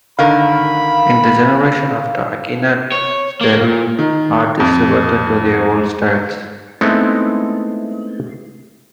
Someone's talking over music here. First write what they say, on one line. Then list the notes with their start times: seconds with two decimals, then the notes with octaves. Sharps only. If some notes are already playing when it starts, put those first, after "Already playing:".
In the generation after Akhenaten's death, artists reverted to their old styles.
0.19 D3 D#3 A#4 F5 B5
2.92 C#5
3.41 A#3
3.61 A#2
3.99 D#3
4.60 F2
6.81 G#3 A3 B3 C4 D#4 E4